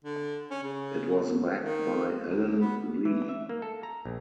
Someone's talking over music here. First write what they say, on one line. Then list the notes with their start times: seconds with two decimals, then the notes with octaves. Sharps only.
It was backed by Allen Lee.
0.05 D3
0.51 C#4
0.63 C#3
1.60 D#3
2.25 D2
2.60 B3
3.05 E3
3.29 E5
3.49 A#3
3.62 A4
3.83 A#5
4.05 A#1